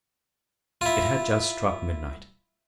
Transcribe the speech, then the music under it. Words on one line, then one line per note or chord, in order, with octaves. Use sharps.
It had just struck midnight.
E4 F4